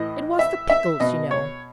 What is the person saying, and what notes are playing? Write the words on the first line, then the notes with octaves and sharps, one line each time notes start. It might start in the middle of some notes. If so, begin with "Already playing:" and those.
It was the pickles, you know.
Already playing: A2 E3 D#5
E5
E5
B2 D#5
C#5